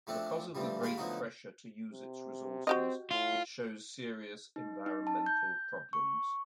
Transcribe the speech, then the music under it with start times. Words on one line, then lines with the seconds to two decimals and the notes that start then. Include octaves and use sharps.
Because of the great pressure to use its resources it shows serious environmental problems.
0.07 F3 A3 C4 D4
0.55 D2 E3 F3 G3
0.81 D#2 G#2 F4 F5 B5
0.98 D2 B2 F3 F#3 D#4 F#4
1.92 C3
2.67 C4 F#4 G4 D#5
3.11 A2 F4
4.56 D#4
4.86 D#4
5.07 A5
5.26 G6
5.93 C#6